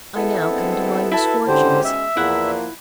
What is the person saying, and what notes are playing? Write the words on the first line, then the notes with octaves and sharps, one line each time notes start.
I now come to my misfortunes.
B3 E4 A4
D3 G#3 C4
E4 F#4 A4 B4 E5 A5
G#2 B2 D3 G#3 C#4 G4 C5
E5
E2 A#2 F3 A#3 E4 F#5